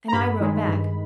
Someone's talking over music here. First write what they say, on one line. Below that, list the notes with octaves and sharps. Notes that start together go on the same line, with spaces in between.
And I wrote back.
A#5
G2 B5
D#3 G#3
G2